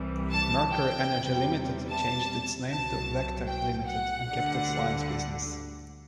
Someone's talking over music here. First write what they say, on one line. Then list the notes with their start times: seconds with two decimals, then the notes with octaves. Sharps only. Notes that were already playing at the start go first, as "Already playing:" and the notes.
Mercury Energy Limited changed its name to Vector Limited and kept its lines business.
Already playing: C2 C3 E3 G3
0.31 A5
0.71 G5
1.10 E2 C3 G3
1.89 A5
2.68 C2 B2 F#3 A5
3.46 G5
3.85 F#5
4.25 D2 D3 G3